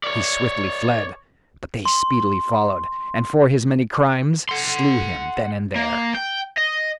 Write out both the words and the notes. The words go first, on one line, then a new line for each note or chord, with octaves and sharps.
He swiftly fled, but they speedily followed, and for his many crimes slew him then and there.
C#5 D5
C6
F#5 C6
A#3
G5
D#5